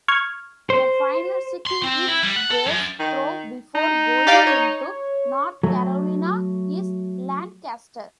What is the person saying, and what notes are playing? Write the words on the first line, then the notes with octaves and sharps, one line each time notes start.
The final city it goes through before going into North Carolina is Lancaster.
C#6 F6 G#6
C5
C6
C4
E4
G3
F#5
A4
F#2
D#3
D#4
G4 D5 F5
C#5
F#3 A3